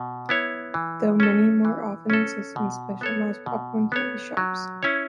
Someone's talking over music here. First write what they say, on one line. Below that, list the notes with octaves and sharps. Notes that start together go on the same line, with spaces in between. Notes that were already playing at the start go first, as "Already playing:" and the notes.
Though many more often exist in specialized popcorn candy shops.
Already playing: B2
B3 E4 C#5
E3
C#4 A4
E3
C#4 A4
B2
B3 A4 C#5
B2
B3 A4 C#5
F#3
C#4 E4 C#5